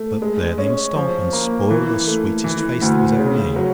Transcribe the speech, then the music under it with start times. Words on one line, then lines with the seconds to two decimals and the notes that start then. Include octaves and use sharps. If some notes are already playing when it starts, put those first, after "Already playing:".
But there they must stop, and spoil the sweetest face that was ever made.
Already playing: A3
0.22 G#3
0.58 C#4
0.96 F3
1.33 A#3
1.70 E3
2.07 A3
2.44 E3
2.81 D2
3.19 C#3
3.56 F#3